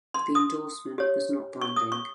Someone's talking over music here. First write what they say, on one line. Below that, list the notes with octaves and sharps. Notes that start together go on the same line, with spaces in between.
The endorsement was not binding.
C6
D#6
G4 C#5
C#6
D#6
C#6